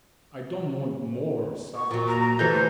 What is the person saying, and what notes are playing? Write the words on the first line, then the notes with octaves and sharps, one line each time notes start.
I don't want more suffering.
C#6
A#2 F#3
A#5
A#5
E3 A3 G6
C5